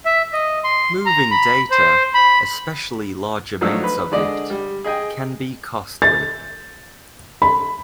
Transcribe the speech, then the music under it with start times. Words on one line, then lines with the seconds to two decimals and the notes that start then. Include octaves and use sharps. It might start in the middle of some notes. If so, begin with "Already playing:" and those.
Moving data, especially large amounts of it, can be costly.
0.06 E5
0.33 D#5
0.64 C6
1.06 A#5
1.31 B5
1.71 C5
2.14 B5
3.61 F3 F#3 A3 D4 D#4 E6
3.84 B4
4.12 D3 G#3 D5 D#5
4.50 G3
4.84 G#4 D#5 G5 G#5
6.02 A6
7.42 B5